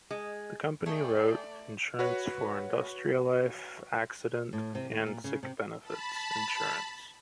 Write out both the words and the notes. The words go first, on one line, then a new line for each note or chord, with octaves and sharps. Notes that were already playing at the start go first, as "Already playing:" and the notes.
The company wrote insurance for industrial life, accident and sick benefits insurance.
G#3
A3 G#4 D5 G5
F#4 B4 C#5
A2
C3
D#2
A#2
C#3
C3
A5 B5